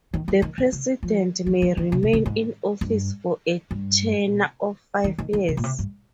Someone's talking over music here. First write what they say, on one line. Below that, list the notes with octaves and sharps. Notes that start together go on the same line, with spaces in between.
The president may remain in office for a tenure of five years.
D#3
F3
D#3
D#3
C#3
F3
F3
F3
D#3
C#3
C3
C#3
G#2
G2
G2
D#3
D#3
D#3
C#3
A#2
C3
G2